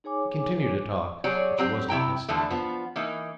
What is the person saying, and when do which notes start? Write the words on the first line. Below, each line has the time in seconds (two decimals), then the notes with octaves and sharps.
He continued to talk, but she was not listening.
0.04 D#4 G#4 C#5 G#5 D6
1.24 F#3 G4 G#4 C#5 D5
1.58 F#3 C4 G4
1.88 C3 E4 G5 A#5
2.29 D3 E3 F3 A3
2.50 F3 B3
2.96 E3 A#3 D#4